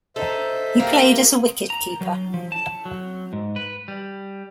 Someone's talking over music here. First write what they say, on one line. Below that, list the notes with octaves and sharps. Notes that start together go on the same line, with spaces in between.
He played as a wicket-keeper.
D#4 A4 C5 E5
A#3 G4
A#5
F#3
F3
A5
F#3
G#2
B4
G3